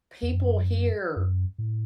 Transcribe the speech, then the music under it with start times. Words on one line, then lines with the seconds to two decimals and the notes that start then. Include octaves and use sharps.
people here,
0.23 E2
0.33 F#2
1.16 F#2
1.58 A2